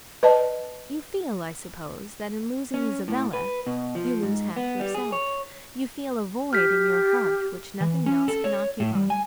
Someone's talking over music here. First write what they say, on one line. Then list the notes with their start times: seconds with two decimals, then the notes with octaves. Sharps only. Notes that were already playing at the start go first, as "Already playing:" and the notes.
You feel, I suppose, that in losing Isabella, you lose half yourself: you feel a void in your heart which nothing else can occupy.
0.23 B4 D5 D#5 A5
2.74 C#4
3.08 A2
3.33 B4
3.67 B2
3.95 F3
4.23 G#2
4.56 B3
4.80 G3
4.94 G#4
5.12 C#5
6.53 G4 F6 G6 B6
7.81 E3
8.06 C#4
8.28 A4
8.44 C#5
8.80 A2
8.95 G3
9.10 G#5